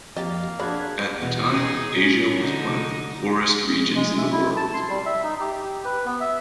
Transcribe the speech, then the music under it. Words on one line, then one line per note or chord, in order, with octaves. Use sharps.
At the time, Asia was one of the poorest regions in the world.
F2 A#3 G4 D#5 A6
F#3 D4 F#4 G#4 B5 F#6 G#6
E2 B2
C#3 D#4 G#4
C#4
D3 D#4
G#3
E5
E4
A5
C6
G3
E5
D#4
G4
B4
B3
E5